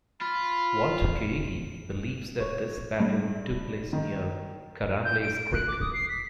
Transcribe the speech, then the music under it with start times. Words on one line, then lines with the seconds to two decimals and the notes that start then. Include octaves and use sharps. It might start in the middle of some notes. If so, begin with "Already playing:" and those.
Walter Kaegi believes that this battle took place near Karamlays Creek.
0.21 F4 B5
2.40 C#5
3.00 G2
3.93 D#3
5.05 G6
5.22 D7
5.34 D7
5.53 F#6
5.68 D6
5.81 D#6
5.93 C7
6.09 B6